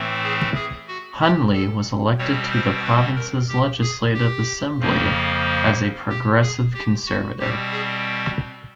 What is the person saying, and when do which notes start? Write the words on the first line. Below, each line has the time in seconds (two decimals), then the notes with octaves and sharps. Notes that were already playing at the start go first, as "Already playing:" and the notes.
Hunley was elected to the province's legislative assembly as a Progressive Conservative.
Already playing: A2 E3 A3 C4
0.23 G#4
0.55 G#4
0.88 F#4
1.21 G4
1.53 A4
2.18 B2 G3 C4 C#5
2.51 C5
2.84 B4
3.16 A#4
3.48 G4
3.81 G#4
4.13 G4
4.79 F2 C#3 F3 A#3
6.09 G4
6.41 G#4
6.74 G4
7.07 F#4
7.39 B2 G3 C4 G4
7.72 G#4